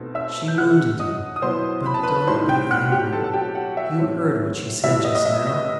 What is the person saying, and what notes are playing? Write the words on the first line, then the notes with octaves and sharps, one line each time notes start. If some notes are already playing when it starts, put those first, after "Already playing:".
She wounded you, but don't be angry. You heard what she said just now?
Already playing: B2 A3 C4 D#4
E5 E6
G6
C3 E3 A3 F#5 F#6
D#5 D#6
D#6
B2 F#3 B3 E4 C5 C6
B5
A5
B4 B5
A2 G3 D#4 C5 C6
G5 G6
F#5 F#6
G4 G5
B2 F#3 C4 A4 A5
A5
G4 G5
F#4 F#5
E5
A2 F#3 C4
A2 E3 G3 B3 E5
D#5
D#5
E5
D#5